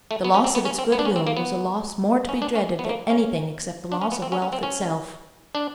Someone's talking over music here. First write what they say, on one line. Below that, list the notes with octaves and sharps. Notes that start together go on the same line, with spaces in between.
The loss of its good-will was a loss more to be dreaded than anything except the loss of wealth itself.
A3
B3
C#4
C4
B3
C#4
C4
B3
D4
C#4
C4
A#3
B3
C#4
D4
C#4
B3
A3
A#3
C#4
D4
C#4
B3
C4
C#4
C#4
C4
C#4
D4